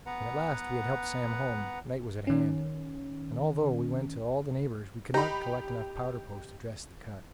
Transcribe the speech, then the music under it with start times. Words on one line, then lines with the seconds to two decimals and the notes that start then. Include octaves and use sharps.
When at last we had helped Sam home, night was at hand; and although we went to all the neighbors, we could not collect enough powder-post to dress the cut.
0.06 B3 B4 F#5 A#5
2.27 D#3 C#4
5.14 D#4 G4 B5